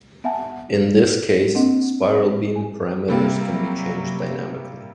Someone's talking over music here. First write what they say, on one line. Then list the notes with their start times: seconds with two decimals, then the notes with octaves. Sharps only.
In this case spiral beam parameters can be changed dynamically.
0.24 B3 E5 F#5 G#5 A5
1.55 A#3 C4 D4 D#5 F#5
2.56 G#5
3.08 C3 G3 A#3
3.46 F#3